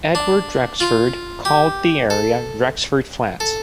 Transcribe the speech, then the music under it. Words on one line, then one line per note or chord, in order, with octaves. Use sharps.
Edward Rexford called the area Rexford Flats.
D4
F4
G4
A4
A4